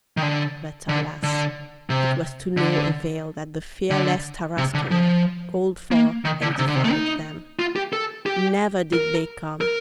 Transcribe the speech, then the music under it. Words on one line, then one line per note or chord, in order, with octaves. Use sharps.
But, alas!! it was to no avail that the fearless Tarasconer called for and defied them; never did they come.
D#3
D3
D3
D3
C3
D3
D3
C3
D3
F3
A#3
D#3
D3
C3
D3
C3
A3
D#4
F4
G4
A4
G4
A#4
A#4